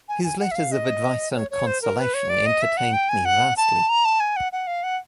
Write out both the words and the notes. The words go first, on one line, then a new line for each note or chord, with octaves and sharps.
His letters of advice and consolation entertained me vastly.
G#5
G#5
F#5
E5
F5
D#5
C#5
C#5
C5
A#4
B4
C#5
D5
D#5
E5
F#5
G5
G#5
F#5
A5
A#5
A5
G#5
F#5
F#5
F5
F#5